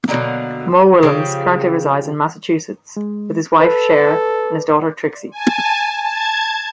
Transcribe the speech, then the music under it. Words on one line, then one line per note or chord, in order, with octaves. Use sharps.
Mo Willems currently resides in Massachusetts with his wife, Cher, and his daughter, Trixie.
B2 D3 F#3 A#3
C#3 F3 G4
G#3
A4 B4
G#5 A5
A5 G#6